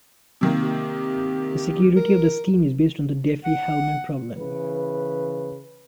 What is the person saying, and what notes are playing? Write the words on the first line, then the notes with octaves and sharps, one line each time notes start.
The security of the scheme is based on the Diffie-Hellman problem.
C3 D#3 A#3
G4
A#4
F#5
C#3 E3 B4